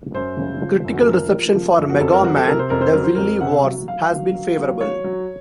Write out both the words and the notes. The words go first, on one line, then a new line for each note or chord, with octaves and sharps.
Critical reception for "Mega Man: The Wily Wars" has been favorable.
F#2 C5
C#3
F3
F#2
F#4
A4
F3 A#4
F3
F3
F#2
F#4
F2 A4
A#4
F#3 F#4
A4
C3 A#4
C5
F2 A#4
C5
F#3 A#4
C5
F2 A#4
C3 F#5
F5
F#3
F#3 F5
F#3
F#3
F#3
F#3 C#5
F#3